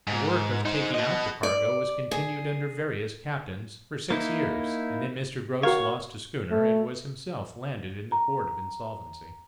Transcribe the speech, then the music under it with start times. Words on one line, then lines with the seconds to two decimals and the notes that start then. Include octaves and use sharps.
The work of taking out the cargo was continued under various captains for six years, and then Mr. Grose lost a schooner and was himself landed in the Court of Insolvency.
0.07 G#2
0.65 D#4 C5
0.94 F#4 D#5
1.43 D5
2.11 G#4
4.10 A#3 D#4 E4
5.63 F#4 A#4 C#5 F5
6.51 A3
8.12 A#5